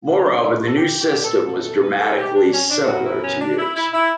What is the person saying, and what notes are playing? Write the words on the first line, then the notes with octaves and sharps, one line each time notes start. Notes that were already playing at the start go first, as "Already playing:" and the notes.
Moreover, the new system was dramatically simpler to use.
D2 C#3 F#3 B3 D4
C#4
D4
E4
A4
G4
G4
A4
F#2 E3 G3 B3 A4
A4
B4
A4
G4
D4
C#4
D4
F#2 E3 B3 F#4
E4
C#4
D4
E4
E4
E4